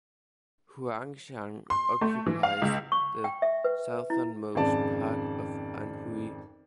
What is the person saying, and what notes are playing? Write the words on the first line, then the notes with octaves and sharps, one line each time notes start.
Huangshan occupies the southernmost part of Anhui.
C6
A3
E3
F5
C#2
C#6
G5
E5
B4
E4
G#1 F2 C#3 G#3 D5 A5